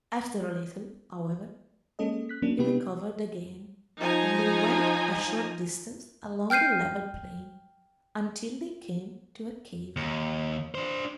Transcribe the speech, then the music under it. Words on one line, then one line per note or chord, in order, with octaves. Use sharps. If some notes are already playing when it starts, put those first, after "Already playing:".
After a little, however, he recovered again, and they went a short distance along a level plain, until they came to a cave.
G#3 A#3 C#4 A4 D#5
F#6 B6
F#3 A#3 C#4 D4
C3 G#3 B3 E4 G4 B4
F3 D#4 G#5 A#5
G5 F6 G6 C7 D#7
D#2
D4 C5